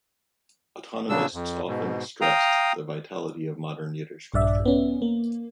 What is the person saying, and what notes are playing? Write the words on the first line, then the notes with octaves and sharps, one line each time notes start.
Autonomists often stressed the vitality of modern Yiddish culture.
A#2 C#3 F#3 D4 E6
F2
G#2 B2
F5 G5 A#5 D#6
A#1 G2 D5 E5
B3 C#4
A#3